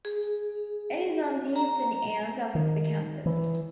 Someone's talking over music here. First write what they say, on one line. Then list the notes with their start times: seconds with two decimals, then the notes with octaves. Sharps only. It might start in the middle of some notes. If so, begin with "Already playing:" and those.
It is on the eastern end of the campus.
0.05 G#4
1.56 A#5
2.55 D#3
3.26 E3